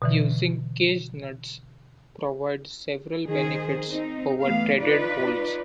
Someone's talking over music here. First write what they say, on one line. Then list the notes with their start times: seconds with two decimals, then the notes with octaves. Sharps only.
Using cage nuts provides several benefits over threaded holes.
0.02 B2 D3 E3
3.28 D#3 G#4 C5
3.88 C4 D#4
4.42 E3 A3 B3 F5
4.80 D#4 F4 B4 D5